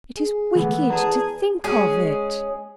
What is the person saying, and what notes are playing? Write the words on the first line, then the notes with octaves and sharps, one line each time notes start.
"It is wicked to think of it."
G#4
E3 G#3 A3 B3
E2 G#4 A5 A#5
G#3 C#4 G#4